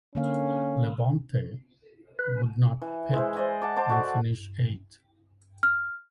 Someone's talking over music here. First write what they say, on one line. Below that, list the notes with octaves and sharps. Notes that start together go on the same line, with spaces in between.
Labonte would not pit and finish eighth.
D3 A#3 C#4 F5
B4
E3
G#3 E4 C5
C5 D5 D#5 G#5
F#5 A5 D6
C5 A5 C6 D6
F#4 A4 D5
F6